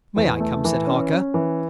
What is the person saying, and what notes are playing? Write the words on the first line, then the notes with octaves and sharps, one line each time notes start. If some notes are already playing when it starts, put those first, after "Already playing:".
"May I come?" said Harker.
E2
A3
E3
C#4
C#4
E3